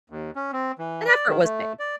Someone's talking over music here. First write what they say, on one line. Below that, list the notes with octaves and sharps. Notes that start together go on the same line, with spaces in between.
An effort was made.
D#2
C#4
C4
E3
D5
D#3
A3
D5